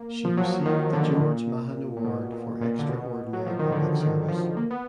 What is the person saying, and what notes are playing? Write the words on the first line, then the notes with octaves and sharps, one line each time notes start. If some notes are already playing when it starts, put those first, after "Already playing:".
She received the George Mahon Award for Extraordinary Public Service.
Already playing: A#3
F3
F#3
D#3
D3
A#2
A#2
B2
A#2
A#2
D3
B2
F#3
F3
D#3
D3
D#3
F3
A#3
B3